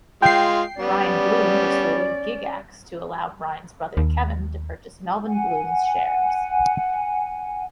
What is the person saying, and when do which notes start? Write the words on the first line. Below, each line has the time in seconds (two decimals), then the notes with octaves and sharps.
Brian Blume persuaded Gygax to allow Brian's brother Kevin to purchase Melvin Blume's shares.
0.22 G#3 F4 G5 C7
0.79 G3 B3 C#4 D5
3.97 D#2
5.26 F#5 G#5